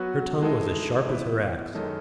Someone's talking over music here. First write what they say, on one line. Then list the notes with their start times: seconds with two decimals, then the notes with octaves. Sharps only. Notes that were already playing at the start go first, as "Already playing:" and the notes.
Her tongue was as sharp as her axe.
Already playing: F#3 B3 F#4 B4
0.42 E3 G#3 D#4 A4
1.08 E3 B3 E4
1.75 F#2 D#3 G#3 D#4 A4